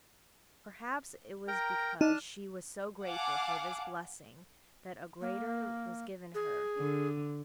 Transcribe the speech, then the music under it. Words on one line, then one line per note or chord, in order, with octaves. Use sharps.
Perhaps it was because she was so grateful for this blessing that a greater was given her.
A#4 G5 A#5
D4 D#4 A5 F6
F5 F#5 G#5 A5 D6
A#3
G#4
D3